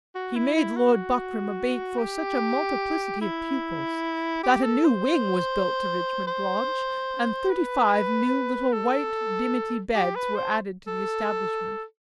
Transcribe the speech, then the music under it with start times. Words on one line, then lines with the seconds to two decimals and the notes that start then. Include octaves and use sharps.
He made Lord Buckram a bait for such a multiplicity of pupils, that a new wing was built to Richmond Lodge, and thirty-five new little white dimity beds were added to the establishment.
0.15 F#4
0.36 E4
0.56 E4
0.76 F#4
1.98 G4
3.21 E4
4.43 G4
4.63 A4
4.85 C5
6.27 C5
7.50 B4
8.73 A4
9.95 G4
10.16 B4
10.36 C5
10.87 A4